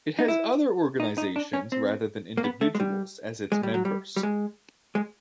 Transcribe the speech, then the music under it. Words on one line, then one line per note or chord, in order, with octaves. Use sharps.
It has other organisations rather than individuals as its members.
D#4
E4
D#4
D#4
D4
C#4
C4
A#3
B3
A3
G#3
G3
G#3
G3
F#3
G3
G3
G#3
G#3